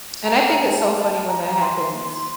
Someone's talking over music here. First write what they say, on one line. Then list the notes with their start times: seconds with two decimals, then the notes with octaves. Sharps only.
And I think it's so funny when that happens.
0.25 A#5
0.59 A5
0.70 G5
0.80 A5
1.27 A#5
1.61 C6
2.18 C6